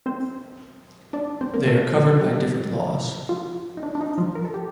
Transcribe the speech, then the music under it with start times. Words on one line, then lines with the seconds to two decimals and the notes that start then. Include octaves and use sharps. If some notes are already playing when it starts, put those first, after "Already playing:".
They are covered by different laws.
0.06 C4 C5
1.13 D4 D5
1.41 C4 C5
1.53 A#3 A#4
1.67 A3 A4
2.21 G3 G4
3.29 F3 F4
3.77 D#4
3.83 D4
3.95 D4
4.01 D#4
4.18 F3 F4
4.35 A#4
4.45 A4
4.54 G4